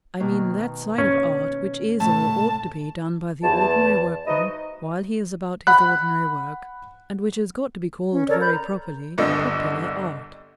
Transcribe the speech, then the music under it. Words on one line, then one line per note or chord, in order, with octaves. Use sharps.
I mean that side of art which is, or ought to be, done by the ordinary workman while he is about his ordinary work, and which has got to be called, very properly, Popular Art.
B2 D#3 A#3
C#4
A2 C3 A5
E2 A5
G#2 E3 D#4 E4 F#4 D#5
F#5 B5 F#6
C#4
A4 A#4 C#5 D5
B5 G6
A#5
G1 C2 D3 D#5